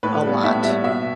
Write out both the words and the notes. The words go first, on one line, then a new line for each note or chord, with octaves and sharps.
a lot.
A2 B4
G3 B3
A2 E5
G3 B3 E5
B2 E5